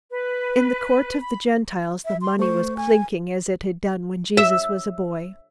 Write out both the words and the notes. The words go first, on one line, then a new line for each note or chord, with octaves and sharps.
In the Court of the Gentiles the money was clinking as it had done when Jesus was a boy.
B4
B5
E5
C6
A3 C5 C#6
G#5
E5